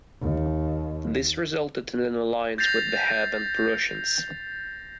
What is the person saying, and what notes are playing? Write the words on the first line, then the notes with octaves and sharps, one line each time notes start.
This resulted in an alliance with the heathen Prussians.
D#2
G6 A6 A#6 C7 F7